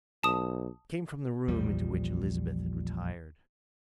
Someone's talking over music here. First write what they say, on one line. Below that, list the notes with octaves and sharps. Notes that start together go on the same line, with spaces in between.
It came from the room into which Elizabeth had retired.
B1 A5 D#6
A#1 E2 F3 G3